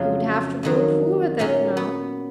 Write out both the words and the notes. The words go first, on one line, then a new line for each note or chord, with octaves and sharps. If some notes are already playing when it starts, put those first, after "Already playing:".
He would have to go through with it now.
Already playing: F2 C#3 F#3 F4
F2 D#3 F#3
A#2 F#3 C#4
B3